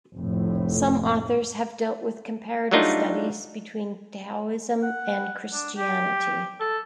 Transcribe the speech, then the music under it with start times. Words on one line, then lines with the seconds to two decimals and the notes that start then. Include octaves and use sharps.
Some authors have dealt with comparative studies between Taoism and Christianity.
0.14 F1 A2
2.71 F#3 G3 A3 D4 D#4 F4
4.83 F#5
5.52 D4
5.76 G4
6.60 A4